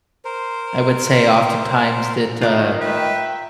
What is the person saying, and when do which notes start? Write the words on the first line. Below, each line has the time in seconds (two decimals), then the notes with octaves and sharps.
I would say oftentimes that, uh,
0.25 A#4 C5
2.41 D#3 F4 D6
2.81 B4 E5 G5